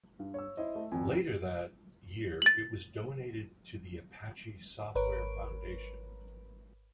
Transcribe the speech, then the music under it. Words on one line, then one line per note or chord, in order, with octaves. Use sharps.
Later that year it was donated to the Apache Software Foundation.
G2
C#5 E6
E4 C5 D#5
A3
G#1 F2 G#5
C#4
A6 F#7
G#1 A#4 B4 C#5 D7